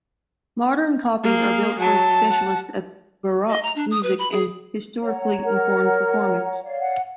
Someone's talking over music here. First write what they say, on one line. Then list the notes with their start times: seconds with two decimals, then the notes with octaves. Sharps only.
Modern copies are built for specialists of baroque music and historically informed performance.
1.23 A#3 G#4
1.80 F#3 A5
2.30 F#5
3.49 D#5
3.63 A#5
3.76 D4
3.91 D#6
4.03 B4
4.19 B5
4.31 G#4
5.00 C#5 F#5 A#5
5.45 A#4
6.63 C#5 D5 F5
6.81 F#5